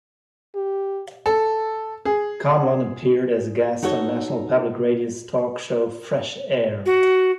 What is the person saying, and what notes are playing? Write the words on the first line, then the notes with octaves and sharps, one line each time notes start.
Conlon appeared as a guest on National Public Radio's talk show "Fresh Air".
G4
A4
G#4
D#4 F#4 A4 C#5
F#4